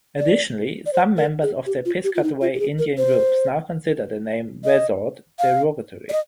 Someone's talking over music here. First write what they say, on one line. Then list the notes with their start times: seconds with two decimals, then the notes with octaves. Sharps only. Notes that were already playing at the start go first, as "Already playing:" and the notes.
Additionally, Some members of the Piscataway Indian groups now consider the name Wesort derogatory.
0.19 D5
0.86 D5
0.93 C5
1.17 A#4
1.42 G#4
1.66 G4
1.85 F4
2.04 G4
2.15 F4
2.23 D#4
2.41 F4
2.55 G4
2.59 G#4
2.79 A#4
2.98 C5
4.64 D#5
5.39 F5
6.09 D5
6.12 D#5